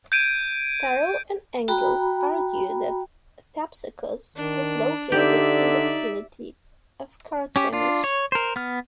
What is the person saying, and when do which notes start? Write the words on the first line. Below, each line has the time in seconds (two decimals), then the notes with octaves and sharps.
Farrell and Engels argue that Thapsacus was located in the vicinity of Carchemish.
0.12 G6 G#6 D7 D#7
1.68 F#4 G5 A#5 B5
4.36 D#3 D4
5.12 D3 D#4 G4 D5 E5
7.56 C#4 G4
7.73 D4 F4
8.04 C#5
8.32 A#4 C5
8.56 B3 F6